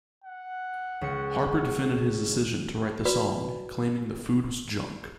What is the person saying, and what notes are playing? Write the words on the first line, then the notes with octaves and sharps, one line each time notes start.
Harper defended his decision to write the song, claiming the food was junk.
F#5
C#2 C#7
F#4 B4 D5 A#5 B5